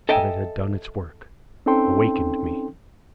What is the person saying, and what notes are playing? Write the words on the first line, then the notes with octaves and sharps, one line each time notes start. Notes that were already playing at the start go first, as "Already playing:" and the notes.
But it had done its work--awakened me.
A4 D#5 E5 G5 G#5 A#5
C4 C#4 D#4 A4 G5 C6